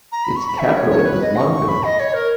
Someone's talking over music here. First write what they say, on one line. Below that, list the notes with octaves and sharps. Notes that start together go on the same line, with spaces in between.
Its capital was Mongo.
A#5
B5
C#6
B5
E5
C#5
C#5
B4
D#5
C#6
C#6
B5
D#5
C#5
A#4